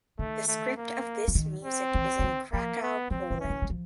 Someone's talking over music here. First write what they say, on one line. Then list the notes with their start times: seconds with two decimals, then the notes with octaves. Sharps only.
The script of this music is in Krakow, Poland.
0.19 D#3 A3
0.48 A3
0.77 A#3
1.28 E3
1.35 D#3
1.64 C4
1.95 E3
2.19 E3
2.24 D#3
2.52 F3 A#3
2.82 B3
3.11 F3 C4
3.31 E3
3.40 D#3 C#4
3.50 E3
3.62 F#3
3.70 F3